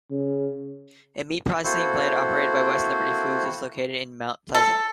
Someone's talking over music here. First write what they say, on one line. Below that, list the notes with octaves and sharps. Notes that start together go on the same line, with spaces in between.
A meat processing plant operated by West Liberty Foods is located in Mount Pleasant.
C#3
A#3 C4 E4 F#4 A4 C5
A4